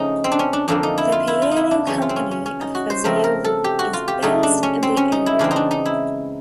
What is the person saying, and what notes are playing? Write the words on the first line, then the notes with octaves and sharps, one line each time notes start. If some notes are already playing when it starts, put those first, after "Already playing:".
The piano company of Fazioli is based in the area.
Already playing: C#3 F3 A3 C#4 D#4
C4
D4
C#4
D4
F2 D3 F3 A#3 D4
D#4
E4
F4
E4
F4
D#4
E4
D4
F#2 C#3 E3 C#4
F4
C4
C#4
C#4
C#4
D#4
F#4
C5
C#3 F3 A3 C4 A#4
A#4
A4
G4
F#4
F4
G4
C#3 F#3 A3 D#4
D4
C#4
C4
C#4
D#4
E4
C#3 E3 G#3 C4 D4
D#4
D4
D#4
E4